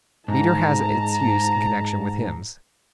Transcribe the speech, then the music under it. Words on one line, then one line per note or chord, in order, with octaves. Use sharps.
Meter has its use in connection with hymns.
G#2 A5 A#5